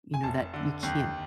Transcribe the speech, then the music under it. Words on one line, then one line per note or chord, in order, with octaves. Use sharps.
you know, that you can't
G#5
F1 A5
D3
D#2